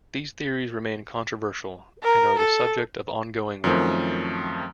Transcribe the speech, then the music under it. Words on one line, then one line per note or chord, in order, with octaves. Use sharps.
These theories remain controversial and are the subject of ongoing work.
A#4
A4
F#2 D#3 F3 A3 C4